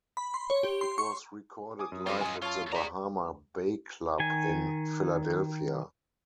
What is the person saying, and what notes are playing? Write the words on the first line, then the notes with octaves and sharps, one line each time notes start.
It was recorded live at the Bahama Bay club in Philadelphia.
B5
C6
C#5
G4
C6
C#6
G#5 D6 D#6
F#2
C4 F4 A4 D#5 B5
G#5 D#6
F4 C#5 A5
G#4 D5 A#5 B6
D#3 G#5